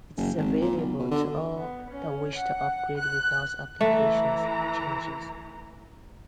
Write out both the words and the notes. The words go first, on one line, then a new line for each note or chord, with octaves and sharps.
It is available to all that wish to upgrade without applications changes.
F#1
G#1
A#2
B1
B2
D3
B3
C#4
F#5
F#6
E3 A3 A#5